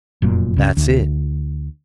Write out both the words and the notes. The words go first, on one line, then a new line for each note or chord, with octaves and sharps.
Dat's it.
F1 F#2 A#2
C#2 C#3
D2